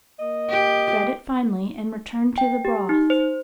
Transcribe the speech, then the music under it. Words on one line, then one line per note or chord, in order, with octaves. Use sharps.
Shred it finely and return to the broth.
A#3 D#5
G4
G5
G4
D#4
C5